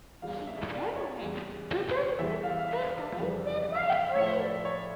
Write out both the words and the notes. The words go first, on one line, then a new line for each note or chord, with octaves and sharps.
She then went to Durban to study midwifery.
E2 C#3 G3 F5
E5
D5
C#5
E2 C#3 G3
E2 E3 G3 E5
F5
F5
E5
F2 C#3 E3 G3
F5
E5
F5
A2 F3 E5
D5
C#5